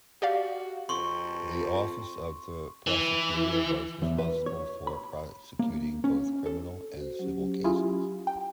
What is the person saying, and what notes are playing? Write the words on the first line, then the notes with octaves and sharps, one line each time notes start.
The Office of the Prosecutor was responsible for prosecuting both criminal and civil cases.
F#4 G4 D5 F5
F2 C6 C#6
E3
E2
B4
C#5
B5
A#3
C#4
A4
F#4 C5
F#3 C#4 G4
E4 F4 G#4
G5